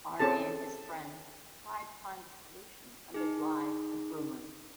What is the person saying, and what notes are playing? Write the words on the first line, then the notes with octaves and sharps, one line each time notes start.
Arne and his friends try to find a solution amid lies and rumours.
C4 C#4 G#4 A4 A5
D#4 G#4